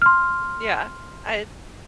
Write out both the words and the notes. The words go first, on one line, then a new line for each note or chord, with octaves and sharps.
Yeah. I'd
C6 F6